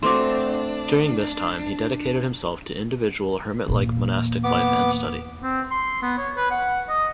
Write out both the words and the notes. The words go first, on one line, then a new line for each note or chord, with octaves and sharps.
During this time he dedicated himself to individual hermit-like monastic life and study.
A3 C4 D4 F#4 C6 D6
E2 A#2 A#3
B3 D6
C4
C6
B3
C#5
B4
F#5
D#5